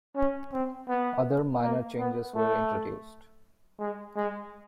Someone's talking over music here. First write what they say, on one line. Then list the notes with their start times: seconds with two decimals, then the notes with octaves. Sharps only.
Other minor changes were introduced.
0.16 C#4
0.53 C4
0.88 B3
1.62 A#3
1.99 B3
2.35 A3
3.80 G#3
4.16 G#3